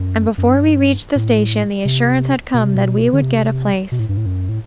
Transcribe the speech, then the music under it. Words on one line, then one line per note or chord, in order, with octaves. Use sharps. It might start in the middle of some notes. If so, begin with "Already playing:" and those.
And before we reached the station the assurance had come that we would get a place.
Already playing: F#2
F#2
G2
A2
C3
B2
C3
B2
D3
C3
B2
A2
G2
A2
F#2
A2